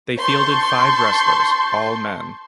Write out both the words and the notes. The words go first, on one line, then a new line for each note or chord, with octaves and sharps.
They fielded five wrestlers, all men.
A5 C6 C#6 G6